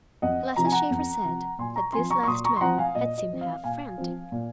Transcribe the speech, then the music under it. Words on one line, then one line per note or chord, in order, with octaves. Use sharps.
Eliza Shaeffer said that this last man had seemed half frantic.
F2 D#5 F#5
C3 F3 A#5
G#5
F#5 A#5
F2
C3 F3
A#2 G#5 C6
A#5 C#6
F3 C4 G#5 C6
A#5 C#6
C#6
A#2 C6 D#6
A#5 C#6
C6
F3 C4 F#5 A#5
F5 G#5
A#2 D#5
D#5
F3 C4
F5
A#2 F5 G#5
F3 C4
A#2